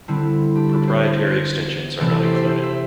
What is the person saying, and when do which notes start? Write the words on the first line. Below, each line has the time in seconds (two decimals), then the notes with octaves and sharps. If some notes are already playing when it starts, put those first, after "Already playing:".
Proprietary extensions are not included.
0.08 D3 G3 C4 E4
0.55 D4 G4
0.72 E4 A4
0.88 G4 C5
1.99 C3 E3 A3 C4 A4 D5
2.11 A4 D5
2.24 G4 C5
2.35 C5 E5
2.48 C5 E5
2.63 C5 E5